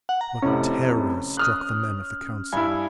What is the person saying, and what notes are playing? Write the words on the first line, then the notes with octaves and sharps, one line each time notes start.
But terror struck the men of the Council.
F#5
A#5
F1 A2 C3 C#4
D#6 F6 F#6
G2 E4 G#5